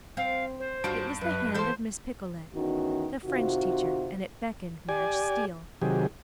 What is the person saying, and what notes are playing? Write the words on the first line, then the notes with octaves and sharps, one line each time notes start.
It was the hand of Miss Picolet, the French teacher, and it beckoned Madge Steele.
C4 F5
C5
G2 C#4 F4 F#4 A5 D7
F#2 B4
E3 A#3 A4 C5 C6 G6
E2 D#3 C#4 F#4
C3 D#3 F4 F#4
G4 D5 G#5
C3 D#3 F#3 G4 G#4